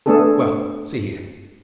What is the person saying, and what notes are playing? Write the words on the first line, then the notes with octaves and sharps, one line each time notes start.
Well, see here.
A3 B3 D4 G#4 A4